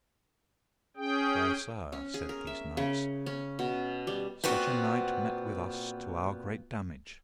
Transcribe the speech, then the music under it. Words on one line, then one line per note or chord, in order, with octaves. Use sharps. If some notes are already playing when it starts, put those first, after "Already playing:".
Fair sir, said these knights, such a knight met with us to our great damage.
C#4 G#4 G5
C#4
G#4
A#4
E5
C#3
C#4
B2
G3
A#2 B3 C4 F#4